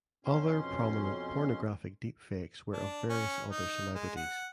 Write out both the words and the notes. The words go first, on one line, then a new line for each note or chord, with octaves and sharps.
Other prominent pornographic deepfakes were of various other celebrities.
F2 B2 C#4 C6
D4
C#4
D#4
G#3
F#5